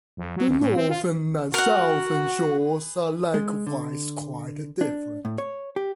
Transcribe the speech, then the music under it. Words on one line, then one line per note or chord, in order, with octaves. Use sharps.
The northern and southern shores are likewise quite different.
F2
F#3
D#2
A2
C4
F4
F#4 A#4 F#5
G#3
D3
D4
A2
C#5
G4